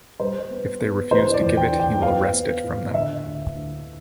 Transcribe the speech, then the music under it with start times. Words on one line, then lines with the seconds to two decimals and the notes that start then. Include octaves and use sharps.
If they refuse to give it, he will wrest it from them.
0.20 G3 C5
0.50 B3
0.81 B3
1.11 E3 C5
1.34 D5
1.41 E2
1.57 G5
1.72 E3
1.79 G5
2.02 B3 F5
2.33 B3
2.64 A2
2.94 D3 E5
3.25 D2
3.55 D2